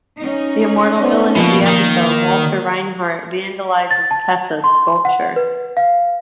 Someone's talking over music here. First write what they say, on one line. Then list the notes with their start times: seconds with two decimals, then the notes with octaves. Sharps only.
The Immortal villain of the episode, Walter Reinhardt, vandalized Tessa's sculpture.
0.18 C#4 D#4
1.02 B3 C5 D5
1.37 B2 F3 A#3
1.67 D#3
3.91 A6
4.11 A5
4.64 C6
5.05 F#5
5.36 B4
5.77 F5